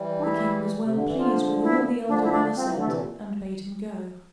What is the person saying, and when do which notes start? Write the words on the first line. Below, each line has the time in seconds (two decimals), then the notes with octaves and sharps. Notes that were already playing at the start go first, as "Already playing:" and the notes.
The king was well pleased with all the elder brother said, and bade him go.
Already playing: E3 G3
0.19 D4
0.24 E4
0.84 C3
0.94 D3
1.05 E3
1.16 D3 F3 F4
1.62 E4
2.08 D3 F3 D4
2.23 E4
2.32 D4
2.54 F3 C4
2.65 E3
2.75 D3 A3
2.84 C3 E3
2.94 A#2